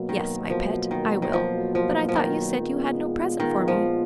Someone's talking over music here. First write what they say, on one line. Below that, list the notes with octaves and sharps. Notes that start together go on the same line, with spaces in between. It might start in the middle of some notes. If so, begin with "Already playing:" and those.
"Yes, my pet, I will; but I thought you said you had no present for me?"
Already playing: B2 F#3 A#3
D#3
F3
D#3
D#3
F3
F3
F3
D#3
A#2 G#3 B3 F4
D#3
F3